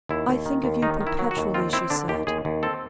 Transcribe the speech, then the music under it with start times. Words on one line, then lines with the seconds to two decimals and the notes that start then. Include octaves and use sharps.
"I think of you perpetually," she said.
0.09 D#2 E4
0.29 D#2
0.46 D#3
0.64 D#2
0.82 D#3 D#4
1.01 D#3
1.07 E4
1.19 F#3
1.31 F#4
1.37 D#2
1.54 C4 F4
1.73 C4 E4
1.90 D3 D4
2.08 D#2 G4
2.27 D#2 G#4
2.45 D#2
2.63 C4 A4